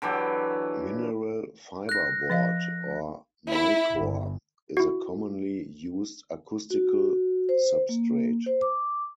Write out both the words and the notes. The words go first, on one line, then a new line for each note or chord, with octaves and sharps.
Mineral fiber board, or Micore, is a commonly used acoustical substrate.
D3 E3 F#3 G4
F#6 A#6
F3 D#5 F5
E4
G1
E4 F#4
F#4
C5
A#3
C5
D6